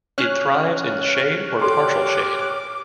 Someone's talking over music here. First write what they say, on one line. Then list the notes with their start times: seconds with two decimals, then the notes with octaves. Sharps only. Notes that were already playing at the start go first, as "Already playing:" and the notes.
It thrives in shade or partial shade.
0.18 C#4 C#5 F6 F#6
1.61 G4 A4 C6 D6